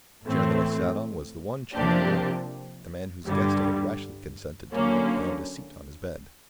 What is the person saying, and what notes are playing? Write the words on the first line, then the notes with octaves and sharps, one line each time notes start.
The chair that I sat on was the one chair in the room; the man whose guest I had rashly consented to be found a seat on his bed.
A2 E3 A3 C4
C3 F3 A#3 D4 G4
G2 D3 G3
D3 F#3 A#3 C#4